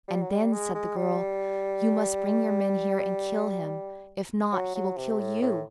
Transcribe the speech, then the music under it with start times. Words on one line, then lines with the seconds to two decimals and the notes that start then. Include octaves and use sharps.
"And then," said the girl, "you must bring your men here and kill him. If not, he will kill you."
0.08 G3
0.22 F#3
0.30 G3
0.53 G#3
0.75 G#3
0.97 G3
4.53 F#3
4.75 F#3
4.97 C3
5.20 A2
5.42 A2